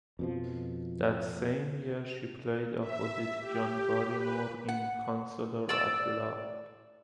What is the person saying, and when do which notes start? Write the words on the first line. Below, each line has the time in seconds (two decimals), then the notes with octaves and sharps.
That same year she played opposite John Barrymore in "Counsellor at Law".
0.19 F2 B2 F3
2.81 E5
3.39 G4
4.13 B4
4.69 F#5
5.69 D5 E6